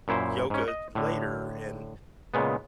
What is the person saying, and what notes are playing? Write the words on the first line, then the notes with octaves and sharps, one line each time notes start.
yoga later and
F#2 A#2 E4 C5
G#2 C#4
D#5
A2 D3
A#2 C#3 G#3 B3